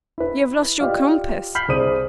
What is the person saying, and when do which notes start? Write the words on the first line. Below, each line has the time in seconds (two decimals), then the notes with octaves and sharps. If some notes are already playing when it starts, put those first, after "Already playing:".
You have lost your compass!
0.18 E4 B4
0.80 F4 G4 D5 D#5 F5 F6
1.55 B5 F6 G6 B6 C7 F#7
1.68 C2 G#4 C5 D5 D#6 D#7